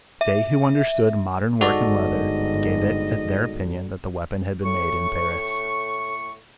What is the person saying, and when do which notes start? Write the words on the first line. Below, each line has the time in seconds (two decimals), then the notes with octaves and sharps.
They who understood modern work in leather gave it as their opinion that the weapon had been made in Paris.
0.21 E5
1.61 G1 G#2 F#4 A4 D5 D#5
4.64 A2 C#6